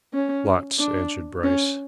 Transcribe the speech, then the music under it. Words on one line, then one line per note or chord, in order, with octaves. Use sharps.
"Lots!" answered Bryce.
C#4
D4
C#4